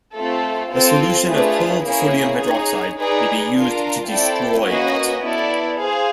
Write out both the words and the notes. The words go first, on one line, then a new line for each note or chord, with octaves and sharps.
A solution of cold sodium hydroxide may be used to destroy it.
A3 C4 F4 A4
C4 F4 A4 C5
A3 D4 F4 G#4 B4
A#3 C#4 E4 G#4 C#5
D#4 G#4 C#5
D#4 G#4 B4 D5
D4 F4 A#4
C4 E4 A4 D5 G5
A#3 C#4 F#4 B4 D#5
B3 E4 A4 D5
G#4 C5 F5